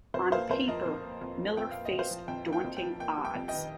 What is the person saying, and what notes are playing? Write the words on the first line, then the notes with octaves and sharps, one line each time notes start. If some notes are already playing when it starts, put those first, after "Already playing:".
On paper, Miller faced daunting odds.
F2 C5
A#3 C5 F5
F2 C5
F3 A#4 D#5
F2
A#3
F2
F3
F2 G5
A#3 F5
D#5
F2
C5 F5
F3
F2 G5
A#3
G5
F2
G5
F3
A#3 G5
G3
G5
F2
D#3 D#5 G5